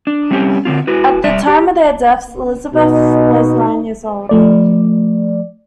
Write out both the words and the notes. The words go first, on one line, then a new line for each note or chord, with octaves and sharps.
At the time of their deaths, Elizabeth was nine years old.
D4
G3 C4 C#4 G4
D3 C4 F4
E4 F#4 B4
G3 D5 E5
G4
B2 D#4
F3 A3 D5